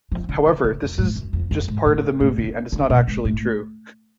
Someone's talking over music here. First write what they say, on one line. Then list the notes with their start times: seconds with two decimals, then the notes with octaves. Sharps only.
However, this is just part of the movie, and is not actually true.
0.12 F3
0.29 D3
0.46 C#3
0.64 C#3
0.82 F#2
0.98 G#2
1.16 F#2
1.33 F2
1.51 F#2
1.68 G#2
1.86 A2
2.20 A2
2.38 D3
2.72 D3
2.90 B2
3.07 G#2
3.25 A2